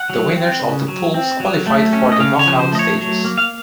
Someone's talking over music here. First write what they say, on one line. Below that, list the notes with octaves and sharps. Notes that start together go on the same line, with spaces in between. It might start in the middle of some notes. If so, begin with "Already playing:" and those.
The winners of the pools qualified for the knock-out stages.
Already playing: F#5
F#3
C4
C#3
F#3
C4
F#3
A3
C#4
D#5
C#3 F5
C#5
F3
C5
A3 D#5
C#5
F#3 C#5
A#3
F5